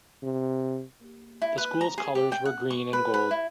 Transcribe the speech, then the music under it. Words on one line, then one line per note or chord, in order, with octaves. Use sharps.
The school's colours were green and gold.
C3
E4
B4
A#5
G#4
G4
G5
F#5
C#6
B4
B4
E4